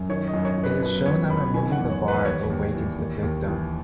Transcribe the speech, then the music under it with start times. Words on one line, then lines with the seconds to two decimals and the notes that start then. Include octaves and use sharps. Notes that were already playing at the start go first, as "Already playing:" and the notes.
It is shown that removing the barb awakens the victim.
Already playing: F#2
0.09 D#3 C#5
0.28 D#5
0.34 F#2
0.45 C#5
0.57 F#2
0.63 B4
0.81 B2 B4
1.05 C#2 C#5
1.30 C#2 B5
1.54 D#3 G#5
1.72 F#5
1.78 E2
1.90 C#5
2.02 E2
2.08 B4
2.25 D#2 C#5
2.50 D#2
2.74 E3
2.98 D#2
3.23 D#2
3.46 E3